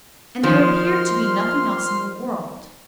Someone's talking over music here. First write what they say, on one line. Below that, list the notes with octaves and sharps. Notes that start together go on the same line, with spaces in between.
And there appeared to be nothing else in the world.
D#3 F3 C6 F6